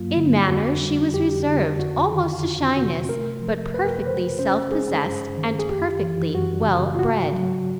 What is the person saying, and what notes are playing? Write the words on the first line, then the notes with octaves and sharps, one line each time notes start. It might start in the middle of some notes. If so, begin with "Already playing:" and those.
In manner she was reserved almost to shyness, but perfectly self-possessed, and perfectly well-bred.
Already playing: G2 F#3 A#3 F4
D3
F2 F#4
G3
F2 G4
D3
F2 F#4
D#3
F2 F4
C3 F#4
A3 A#4
F3
F#2 B4
A#4
B4
C#3 C5
C#4 C5
G#3 G#4
G2
D#3
G#4
F#2 G4
E3
F#2 F#4
C#3
F4
G#2 F#4
F#3